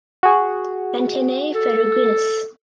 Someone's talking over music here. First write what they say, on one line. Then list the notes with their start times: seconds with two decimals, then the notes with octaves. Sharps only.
Antennae ferruginous.
0.23 F#4 G#4
1.55 A4